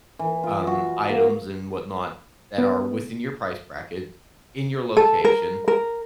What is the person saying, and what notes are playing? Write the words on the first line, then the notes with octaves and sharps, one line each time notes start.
um, items and whatnot that are within your price bracket, in your location,
E3
F4
F#4
A#3
B3
A4
A#4
A#4